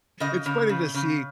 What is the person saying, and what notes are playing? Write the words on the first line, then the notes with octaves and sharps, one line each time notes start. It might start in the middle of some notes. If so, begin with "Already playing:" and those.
it's funny to see
C#3 D#5
C#3
C#3
C#3